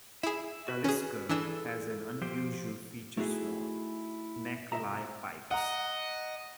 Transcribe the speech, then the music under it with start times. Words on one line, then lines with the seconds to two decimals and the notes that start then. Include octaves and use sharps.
Talisker has an unusual feature-swan neck lye pipes.
0.23 E4 G#4 E5
0.68 F#4 B4
0.84 C#4 G#4
1.29 E3 D4 E4 G#4 A4 E6
2.22 F3 G4 C5
3.17 A3 D#4 E4 F#4 G#4
4.72 C2 D#5 E5 A#5
5.51 D#5 F#5 A#5